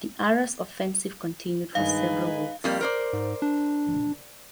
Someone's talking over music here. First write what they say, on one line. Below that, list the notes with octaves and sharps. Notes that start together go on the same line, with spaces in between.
The Arras offensive continued for several weeks.
G2 D#3 G#3 D#4 B4 F5 G#5
F2 G3 A#3
A#4 C5 D5
G#2
D4